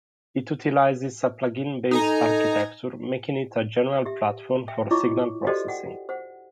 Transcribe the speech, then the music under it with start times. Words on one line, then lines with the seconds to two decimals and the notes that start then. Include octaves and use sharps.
It utilizes a plug-in based architecture making it a general platform for signal processing.
1.91 D#4 A4 G#5 A#5
4.05 G4 E5
4.68 E5 G5
4.91 E4 F4 C#5 D#5 C#6 D6
5.47 F#4 G4 A4 C5 D5 D#5
5.68 F#5 G5
6.09 C5 F#5